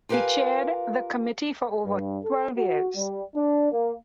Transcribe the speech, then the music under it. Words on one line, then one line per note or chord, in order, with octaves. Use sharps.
He chaired the committee for over twelve years.
F4 G4 A#4 B4 F5 G#5
G2
A4
F#4
G3
D4
A#3